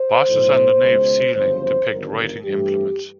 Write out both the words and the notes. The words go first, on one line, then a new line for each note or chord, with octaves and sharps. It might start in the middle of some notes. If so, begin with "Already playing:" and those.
Bosses on the nave's ceiling depict writing implements.
Already playing: C5
B1 A2 F#3 A3
C#2 B2 G#3
G1 F2 C#3 F#3 C5
G1 G2 D#3 F#3 A#4
G2 E3 A3 G4